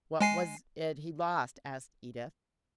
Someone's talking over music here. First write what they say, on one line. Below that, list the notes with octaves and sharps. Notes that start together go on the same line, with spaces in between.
"What was it he lost?" asked Edith.
G#3 G#5 C7